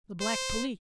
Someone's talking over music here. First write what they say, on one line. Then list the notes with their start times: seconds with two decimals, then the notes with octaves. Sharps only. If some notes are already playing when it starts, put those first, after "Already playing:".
The Black Police.
0.21 C5